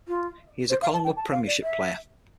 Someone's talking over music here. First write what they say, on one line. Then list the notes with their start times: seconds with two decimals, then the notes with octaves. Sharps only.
He is a Collingwood Premiership player.
0.08 F4
0.70 C5
0.82 F5
0.93 A5
1.04 G5
1.16 A5
1.32 F5
1.47 D5
1.63 E5